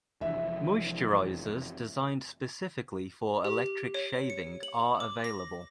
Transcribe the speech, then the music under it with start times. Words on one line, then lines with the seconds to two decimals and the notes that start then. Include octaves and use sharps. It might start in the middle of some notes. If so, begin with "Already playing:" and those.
Moisturizers designed specifically for electric shaving are available.
0.21 F1 F2 E3 E5
3.45 G4
3.94 C#5
4.30 C#7
4.63 F#7
5.00 D6
5.24 A#6